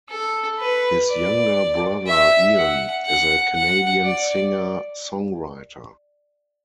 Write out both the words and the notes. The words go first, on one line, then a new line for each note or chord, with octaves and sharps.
His younger brother Ian is a Canadian singer-songwriter.
A4
B4
D5
E5
F#5
F#5
F#5
D5